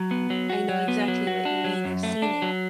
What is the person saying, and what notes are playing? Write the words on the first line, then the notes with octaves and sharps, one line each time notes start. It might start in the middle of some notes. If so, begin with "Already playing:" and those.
I know exactly what you mean, I've seen it,
Already playing: F#3
B3
F#3
F#4
F#3
B3
F#3
F#4
D4
F#3
F#2
A3
D4
F#3